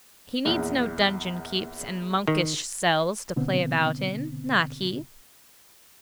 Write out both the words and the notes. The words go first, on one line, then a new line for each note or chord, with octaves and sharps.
He needs no dungeon keeps and monkish cells to play about in--not he!
A#1 E2
D#3
B2 D3 B3 C4